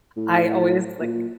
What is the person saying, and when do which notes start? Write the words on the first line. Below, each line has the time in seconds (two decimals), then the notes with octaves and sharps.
I always like
0.17 A2
1.01 A#2